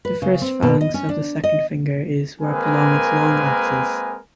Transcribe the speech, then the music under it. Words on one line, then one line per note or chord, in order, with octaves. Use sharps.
The first phalanx of the second finger is warped around its long axis.
B4
C#3
C4
B2
D#5
C#4
D4
D#5
G#3 A#3 C4 A#4 B4 G#5